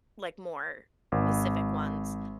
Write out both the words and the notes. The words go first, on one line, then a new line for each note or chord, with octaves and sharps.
like, more Pacific ones,
G#1